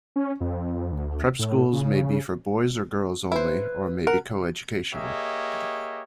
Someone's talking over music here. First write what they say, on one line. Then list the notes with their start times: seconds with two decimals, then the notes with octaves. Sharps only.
Prep schools may be for boys or girls only, or may be co-educational.
0.16 C#4
0.40 F2
0.92 D2
1.39 A2
1.73 C#3
3.32 E4 B4 C5
4.07 A#4 F#5
4.93 A#3 G4 G#4 C#5 D#5 E5